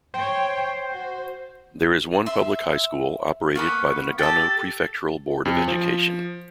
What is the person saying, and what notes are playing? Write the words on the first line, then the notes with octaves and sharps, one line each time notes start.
There is one public high school operated by the Nagano Prefectural Board of Education.
C5 C#5 G5
F#4
E5 C6
A#3 B3 B5 C#6
G4 A4 A6
F2
F3